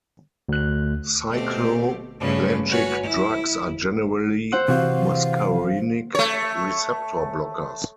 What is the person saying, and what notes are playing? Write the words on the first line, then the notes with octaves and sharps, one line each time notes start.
Cycloplegic drugs are generally muscarinic receptor blockers.
D2 F#6
B2 A3 C4 G4
G2 C#3 A3 C#4 F4 B4
F#4 B4 C#5 G#5 F6
E4
C5 F#5 E6
C3 E3 F#4 F5
A3 C#5